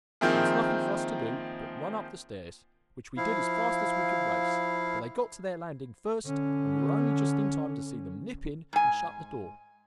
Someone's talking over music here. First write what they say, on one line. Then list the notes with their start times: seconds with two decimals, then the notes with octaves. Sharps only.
There was nothing for us to do but run up the stairs, which we did as fast as we could race; but they got to their landing first, and we were only just in time to see them nip in and shut the door.
0.21 D#3 F3 A#3 C4 E4 G#4
3.17 F3 E4 F5
6.25 D3 C#4
8.73 G#2 G#5